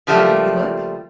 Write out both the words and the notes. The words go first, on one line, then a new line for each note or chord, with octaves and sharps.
How did he look?
C#3 F3 G3 A3 A#3